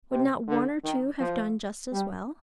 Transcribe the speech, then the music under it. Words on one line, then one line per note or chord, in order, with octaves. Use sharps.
Would not one or two have done just as well?
C3
D3
D#3
F3
G3